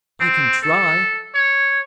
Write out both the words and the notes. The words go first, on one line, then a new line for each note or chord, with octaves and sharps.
"I can try."
C4
A4
C#5